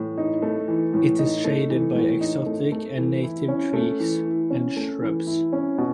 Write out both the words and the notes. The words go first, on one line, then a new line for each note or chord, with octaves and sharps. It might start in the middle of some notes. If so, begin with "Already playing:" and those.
It is shaded by exotic and native trees and shrubs.
Already playing: A2 E3
D#4
A3
E3
A2
D#4
A3
E3
A2
D#4
A3
A3
E3
E4
C#4
A3
E3
E4
C#4
A3
E3
E4
C#4
B2